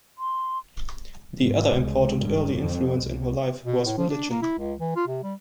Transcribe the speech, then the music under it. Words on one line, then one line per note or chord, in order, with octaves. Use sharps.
The other important early influence in her life was religion.
C6
G#2
C#2
G2
F2
C2
B2
A2
F3
D4
A#3
E4
C#2
E3
F4
C3
G3